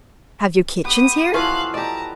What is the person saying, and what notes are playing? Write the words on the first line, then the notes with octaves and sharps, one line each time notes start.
"Have you kitchens here?"
B3 G4 B4 D#6
E3 F3 C#4 F4 F#4 A4 F5 F#6
G4 D5 D#5 A5 A#5